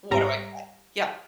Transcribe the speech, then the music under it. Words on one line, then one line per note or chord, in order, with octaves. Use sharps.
What do I say?" yeah.
G#1 G3 A#5